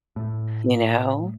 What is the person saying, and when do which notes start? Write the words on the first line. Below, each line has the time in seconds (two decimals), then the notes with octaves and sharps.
you know?
0.16 A2